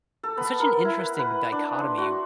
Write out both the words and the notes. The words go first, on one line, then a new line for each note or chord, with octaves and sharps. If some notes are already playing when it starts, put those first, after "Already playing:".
such an interesting dichotomy,
A4
B3
A#4
E4
F#5
B4
D4
C6
F#4